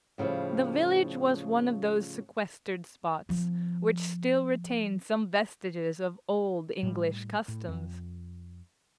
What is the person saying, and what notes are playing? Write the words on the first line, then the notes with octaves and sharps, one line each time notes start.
The village was one of those sequestered spots which still retain some vestiges of old English customs.
A2 C#3 E3 F3 G3
F3 C4
A2 G3
A2
F2